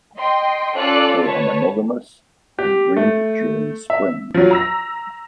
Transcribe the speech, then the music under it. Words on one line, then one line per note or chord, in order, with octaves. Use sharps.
They are monogamous and breed during spring.
D#5 G5 C6
C#4 F4 A4 D5 F#6
B4 C#5 A5
G4
A3
E5
F3 F#3
A#5 E6 A#6